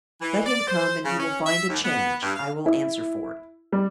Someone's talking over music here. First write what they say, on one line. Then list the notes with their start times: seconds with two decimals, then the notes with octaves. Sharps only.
"Let him come and he will find a change, I will answer for it."
0.21 E3
0.46 D5
0.68 C5
1.05 C#3
1.20 C#4
1.46 E5
1.69 D#2
1.84 B3
2.23 G2
2.36 F5
2.66 E4
3.72 G3